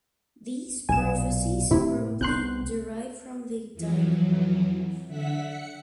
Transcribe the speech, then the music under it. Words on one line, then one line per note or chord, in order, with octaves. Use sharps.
These prophecies probably derive from the "Dialog".
B1 A#2 G#5 E7
A2 C3 C4 E4
C2 B3 C4 C6 F#6 G6
F2 E3 F#3
D3 E5 F#5 B6
F#5 C#7